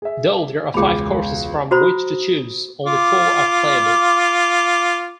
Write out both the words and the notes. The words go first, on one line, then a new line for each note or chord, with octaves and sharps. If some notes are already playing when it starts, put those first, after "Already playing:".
Though there are five courses from which to choose, only four are playable.
G#4 E5
E1 C#2 G#4 B5
F#4 C5 A#5 B5 D#6
F4 D6